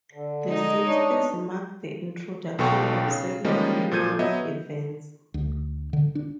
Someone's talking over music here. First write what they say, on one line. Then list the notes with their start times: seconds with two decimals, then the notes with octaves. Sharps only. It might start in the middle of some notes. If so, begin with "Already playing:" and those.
The sixties marked the introduction of several new events.
0.13 D3
0.46 G#3 D#4
0.87 D4 C#5
2.59 B1 B2 B3 A4 G5 C#6
3.07 C#3
3.44 F3 G3 G#3 A#3 C#4 D#5
3.91 A#2 F3 A4 G6 G#6 D#7
4.19 F#3 B3 D#5 E5
5.34 D2
5.93 D3
6.15 D4